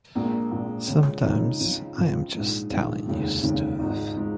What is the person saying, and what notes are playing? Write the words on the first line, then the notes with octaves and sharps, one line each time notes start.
Sometimes I am just telling you stuff.
A#1 A#2 F3 G#3 A#3
A#1 A#2 F3 G#3
C#2 C#3 G#3 C#4
C#2 C#3 G#3 D#4
C#2 C#3 F3
C#2 C#3 F3 F4
A#1 G#2 F3 G#3
A#1 G#2 F3 G#3 F4
F1 D#2 C#3 F3 G#3
F1 D#2 C#3 F3 G#3
G#1 G#2 F3 G#3 D#4
F3 G#3